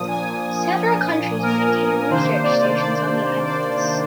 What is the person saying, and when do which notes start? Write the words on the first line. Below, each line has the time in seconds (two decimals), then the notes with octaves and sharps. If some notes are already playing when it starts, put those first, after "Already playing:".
Several countries maintain research stations on the islands.
Already playing: A#2 F3 A#3 D4 D#6
0.08 G#5
1.42 A#4
2.10 C3 D#3 A#3 D4 C5
2.43 D5
2.77 D5
3.44 D5